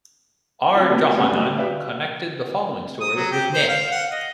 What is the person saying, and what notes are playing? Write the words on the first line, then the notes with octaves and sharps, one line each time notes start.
R. Johanan connected the following story with Neh.
F3 F#3 C4
C3 G3 A3 B3
D2 G3 B3 C#4 F#5 F6
A2 F#3 G3 D#5 G5
F#4 G4 B4 D5 E5 F5
D#6
F#3
G4
C5
F5
F#5
D#5